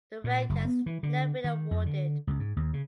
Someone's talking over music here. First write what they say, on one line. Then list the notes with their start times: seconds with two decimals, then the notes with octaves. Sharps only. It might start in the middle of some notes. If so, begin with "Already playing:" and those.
The rank has never been awarded.
0.24 A#2
0.49 F#1
0.65 B3
0.86 E3
1.03 D3
1.44 D#3
1.71 F2
1.86 D3
2.27 C#2
2.40 G#2
2.56 D#2
2.73 C#3